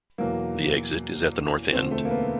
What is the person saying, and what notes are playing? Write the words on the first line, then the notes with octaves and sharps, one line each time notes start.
The exit is at the north end.
E2 B2 F#3 A#3
E1 D2 D3 F3 C4
A3
A#3
B3